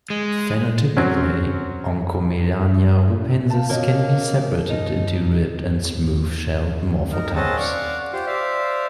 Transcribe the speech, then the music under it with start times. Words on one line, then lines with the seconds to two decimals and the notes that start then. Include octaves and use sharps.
Phenotypically, "Oncomelania hupensis" can be separated into ribbed- and smooth- shelled morphotypes.
0.10 G#3
0.97 F#3 C4 C#4
3.50 F5 A5
3.70 B2 A#3 C#4 D#5
4.70 D#4
7.12 D#4 A#4
7.35 C4 C#4 G#4 D#5 F#5 A5
7.57 D5 F5 F#5 C#6
8.13 F4 G4 C5
8.27 C5 D5 E5 F5